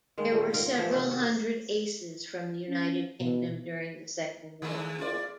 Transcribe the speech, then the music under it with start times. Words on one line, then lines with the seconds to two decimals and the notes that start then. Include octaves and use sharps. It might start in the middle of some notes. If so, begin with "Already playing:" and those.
There were several hundred aces from the United Kingdom during the Second World War.
0.17 D#3 G#3 A#3
0.32 A#2 G3 A#3 D#5
0.52 G#2 D#4 F4 A#4
0.75 E3 F3 G4 D5
0.92 C3 D#3 C#4 F#5
1.11 F#4
2.68 C#4
3.20 B2
4.62 D#3 G#3 A3
4.98 E4 F4 D5